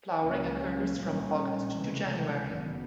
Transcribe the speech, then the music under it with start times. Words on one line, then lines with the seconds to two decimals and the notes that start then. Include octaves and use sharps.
Flowering occurs from August to January.
0.20 C#2 C#3 F#3 A#3 C#4
0.98 A#1 A#2 G3 A#3 C#4
1.76 C#2 C3 E3 A3
2.53 F#1 F#2 D#3 F#3 B3